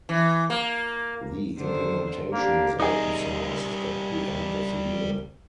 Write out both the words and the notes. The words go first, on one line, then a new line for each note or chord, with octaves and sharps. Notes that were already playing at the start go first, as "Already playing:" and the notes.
The implementation was open-sourced at the end of the year.
E3
A#3
D3 D#3 C5
A#3 D4 G4
G3 D#4 G#4 A#4